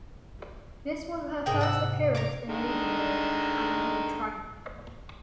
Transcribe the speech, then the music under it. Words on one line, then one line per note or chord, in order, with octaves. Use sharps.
This was her first appearance in a leading role, and it was a triumph.
G#2 C3 G#4 A#4 G5
F#5 E6
A#4 C#5 D6
D3 D#3 G#3